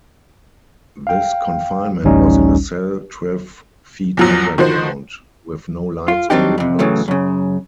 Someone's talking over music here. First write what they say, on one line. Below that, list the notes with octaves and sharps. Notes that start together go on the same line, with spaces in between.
This confinement was in a cell twelve feet underground, with no lights or windows.
F5 G5
A1 D2 G3 C#4 D#4
E2 F3 F#3
D#3 F3 F#4 C5
F4
F#3 G3 C4 D4 D#4 G4
F2 C3
A2 C#3 E3 F#3 A3
F#2 C#3